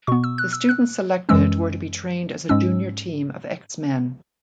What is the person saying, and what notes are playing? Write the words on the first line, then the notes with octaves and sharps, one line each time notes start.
The students selected were to be trained as a junior team of X-Men.
B2 B3 C#6
E6
F#6
E6
F#6
F#2 E3 G#3 C#4 E6
G#2 G#3 C#4 E6